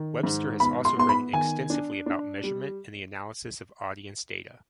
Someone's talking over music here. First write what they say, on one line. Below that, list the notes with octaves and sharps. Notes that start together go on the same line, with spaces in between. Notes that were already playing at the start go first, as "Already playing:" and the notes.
Webster has also written extensively about measurement and the analysis of audience data.
Already playing: D#3
G#2
B3 B5
C6
B3 C6
B5
D#3 G#5
D4
D4
G3